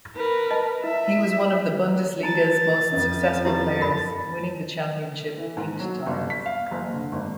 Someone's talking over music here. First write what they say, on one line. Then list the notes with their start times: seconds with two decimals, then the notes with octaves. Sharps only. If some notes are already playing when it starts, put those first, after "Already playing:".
He was one of the Bundesliga's most successful players, winning the championship eight times.
0.15 A#4 B4
0.51 D#5 A5
0.84 E4 E5
2.23 D#4 A#5 A6
2.92 F2 C#4 D#5
3.45 E4 G4 B4
3.80 F#2 F3 D#4 A#4 B5
5.38 E3
5.57 G#2
5.80 F#3
6.06 G1
6.30 B6
6.46 F5
6.71 F#1
6.94 D3
7.12 G#1